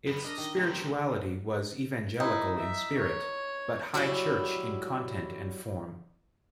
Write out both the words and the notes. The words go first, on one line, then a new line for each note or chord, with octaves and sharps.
Its spirituality was Evangelical in spirit, but High Church in content and form.
F#2 B3
D4 A#4 D#5
D#3
F#3 G3 A3 C4 D#4
D#4 E4
E5
C#5
F#3 G3 C#4 E4